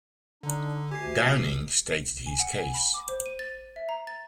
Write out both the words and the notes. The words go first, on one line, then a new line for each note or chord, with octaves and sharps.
Downing stated his case.
D3 D4 D#4
D2 G4 G#5 C7
G#5
F#5
G#5
B5
D6
C5
D#7
A6
E5
A#5
A6